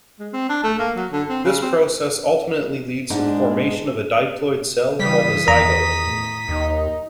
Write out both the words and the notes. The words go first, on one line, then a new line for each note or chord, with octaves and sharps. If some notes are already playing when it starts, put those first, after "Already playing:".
This process ultimately leads to the formation of a diploid cell called a zygote.
G#3
C4
D4
A3
A#3
F#3
D3
C4
C#3
C4
G#2 G#3 D4 D#4
C#3 E3 G3 D#6 B6
E2 D#3 A#5
A2
D#2 D#4